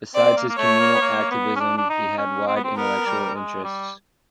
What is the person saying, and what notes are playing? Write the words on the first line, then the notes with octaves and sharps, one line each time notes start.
Besides his communal activism, he had wide intellectual interests.
C4 D5
A#3
A#3
A3 C#5
A#3
B3
A#3
B3
C#4
D4
D4
D#4
C#4
C4
B3
C4
B3 A#4
G3
G#3
G3